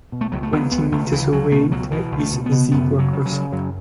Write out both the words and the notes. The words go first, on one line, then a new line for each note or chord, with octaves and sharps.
Twenty meters away there is a zebra crossing.
B2
A3
C#2 F#3
A3
C#2 B3
C#2 B3
C#2 A3
C#2 E3
C#2 F#3
B2 A3
C#2 F#3
B2 E3
C#2
A3
B2
B3
B2
F#2 B3
C#3
F#3
C#3
F#3
C#3
F#2 F#3